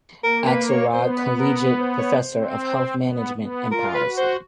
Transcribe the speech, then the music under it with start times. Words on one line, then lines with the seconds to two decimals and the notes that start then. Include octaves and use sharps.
Axelrod Collegiate Professor of Health Management and Policy.
0.24 A#3 A#4
0.47 B4
0.69 C#5
0.93 B3 C5
1.16 B4
1.39 A#4
1.63 B4
1.80 C5
1.97 C#5
2.14 C5
2.32 C4
3.01 B3
3.36 B3
3.71 F4 A#4
3.94 B4
4.06 F#4
4.17 C5